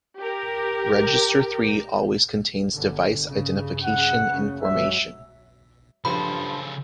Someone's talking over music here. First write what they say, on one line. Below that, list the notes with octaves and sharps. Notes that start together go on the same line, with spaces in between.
Register three always contains device identification information.
G4 A#4
G1 D3
G2 C#3
F#5
F#1 C#3 C#4
G2 F#3 G#3 E5
G2 C#3 F3 A4 B5 C6